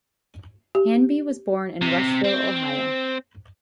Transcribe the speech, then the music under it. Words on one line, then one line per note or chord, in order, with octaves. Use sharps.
Hanby was born in Rushville, Ohio.
G4
C3
C4